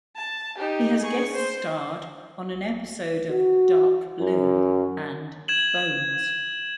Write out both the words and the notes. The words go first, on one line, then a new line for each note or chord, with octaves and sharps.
He has guest starred on an episode of "Dark Blue" and "Bones".
A5
D#4 G4
G#4 C#6
C5
F#4
F#2
G#6 E7 F#7